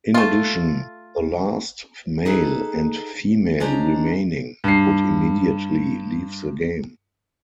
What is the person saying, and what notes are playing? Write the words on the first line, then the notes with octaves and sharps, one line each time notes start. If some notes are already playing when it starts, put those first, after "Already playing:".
In addition, the last male and female remaining would immediately leave the game.
A3 F4
D#4 G#4 A4 B4
G#3 C#4 D4 C5 A#5
G2 C7